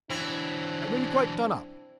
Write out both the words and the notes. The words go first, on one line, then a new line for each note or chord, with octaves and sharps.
I'm really quite done up.
E3 F#3 C4 D4 E4